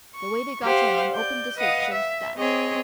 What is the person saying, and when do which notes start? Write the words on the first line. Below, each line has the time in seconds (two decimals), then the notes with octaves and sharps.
The way they got in and opened the safe shows that.
0.14 C#6
0.63 G4 C5 F5 F#5
1.14 D5 G6
1.57 B4 D#5 F5 F#5 D#6
1.93 E5
2.36 C4 G#4 C#5 D#5